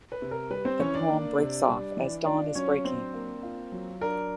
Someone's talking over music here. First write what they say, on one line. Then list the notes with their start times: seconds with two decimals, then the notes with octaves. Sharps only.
The poem breaks off as dawn is breaking.
0.12 B4
0.22 C3
0.31 A#4
0.50 G3 B4
0.65 C4 C5
0.80 E3 C#4 C#5
0.95 D4 D5
1.09 A#3
1.38 C3
1.68 G3
1.97 E3
2.26 D4 F4 D5
2.55 F#3 C#4 C#5
2.84 C4 D4 C5
3.14 A#3
3.43 F4
3.72 F#3
4.01 D4 A#4